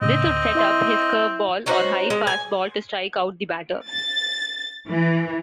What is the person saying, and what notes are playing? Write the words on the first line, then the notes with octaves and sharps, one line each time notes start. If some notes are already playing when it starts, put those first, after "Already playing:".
This would set up his curveball or high fastball to strike out the batter.
A2 C#3 C4 D#5
D2
E4 E5 C6
C#4 D#4 F#4 C5
G#3
G#5
A6
E3